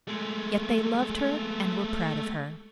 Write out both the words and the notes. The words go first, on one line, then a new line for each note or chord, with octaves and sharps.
Yet they loved her and were proud of her.
G#3 A3